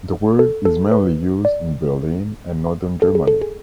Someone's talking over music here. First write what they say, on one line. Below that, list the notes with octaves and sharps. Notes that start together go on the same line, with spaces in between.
The word is mainly used in Berlin and northern Germany.
A4
A4
B4
D5
A4
G#4
A4
G#4